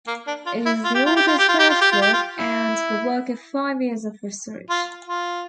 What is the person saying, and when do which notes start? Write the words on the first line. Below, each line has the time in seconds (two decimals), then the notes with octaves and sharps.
It is the authors' first book and the work of five years of research.
0.08 A#3
0.27 D4
0.46 F4
0.66 E4
0.84 F4
0.95 G4
1.06 F4
1.17 G4
1.28 F4
1.39 G4
1.49 F4
1.59 G4
1.69 F4
1.81 G4
1.92 F4
2.02 G4
2.13 F4
2.39 E4
4.70 F4
5.08 F4